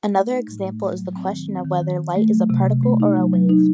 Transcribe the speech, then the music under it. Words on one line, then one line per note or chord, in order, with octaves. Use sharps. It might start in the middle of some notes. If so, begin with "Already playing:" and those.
Another example is the question of whether light is a particle or a wave.
A3
D#4
A2
A3
F#3
F#3
C4
D#3
C4
D#3
D#3
D#3
A3
F#3
C3
C3
A3
D#4
F#3
F#3
D#4